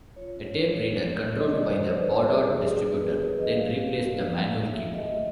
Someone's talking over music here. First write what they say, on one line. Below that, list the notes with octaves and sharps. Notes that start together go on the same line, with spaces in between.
A tape reader, controlled by the Baudot distributor, then replaced the manual keyboard.
F4 C#5
C#4
G#3
C#4
G#3
F4
G3
D#5
G3 D5
G3 C#5
C5
G3 B4
B4
C4
A4
G3 G#4
D4 G#4
G4
D4
G#4
B3
B4
F#4 A#4
F#4
B4
D4 D#5
A#3 F5
A#3
A#3
A#3
A#3
A#3
F#4 E5
F#4
D#5
A3